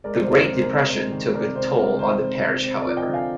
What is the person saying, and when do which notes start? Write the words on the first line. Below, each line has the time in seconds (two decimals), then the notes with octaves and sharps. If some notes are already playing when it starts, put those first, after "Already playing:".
The Great Depression took a toll on the parish, however.
0.04 G#3 A#4 D5
0.21 C5
0.27 D#3
0.37 A#4
0.47 C3
0.53 C5
0.63 A#4
0.70 C3 C5
0.91 G#3
1.12 D#3
1.34 C3 A#4 D5
1.56 C3 C5
1.77 G#3 A#4
1.99 D#3 C5
2.22 C3
2.42 C3
2.65 C4
2.81 F3 A#4 D5
2.97 D#5 G5
3.08 D3
3.13 F5 G#5